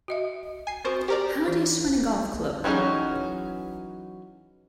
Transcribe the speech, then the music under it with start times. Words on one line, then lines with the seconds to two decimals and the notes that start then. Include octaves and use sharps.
How do you swing a golf club?
0.08 F#4 D#5 E5
0.67 G#5 C7
0.85 C4 F#4 A#4 C5 C#6
1.08 G4 A#4 C5 D5
1.46 E3 C5
2.64 E3 F#3 C#4 D#4 G#4